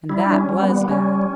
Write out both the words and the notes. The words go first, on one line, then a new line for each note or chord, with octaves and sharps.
And that was bad.
G3 E4
D4
C#4
G3
B3
B3
G3 C#4